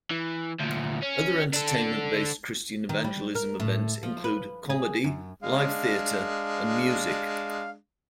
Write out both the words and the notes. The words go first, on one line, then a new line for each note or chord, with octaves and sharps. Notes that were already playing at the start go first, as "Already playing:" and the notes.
Other entertainment-based Christian evangelism events include comedy, live theater and music.
E3
D2 A#2
C#4
D4 A4
D#3
G3
A#4
A2
F3
B4
G#4
F#2
G#3 D4 F5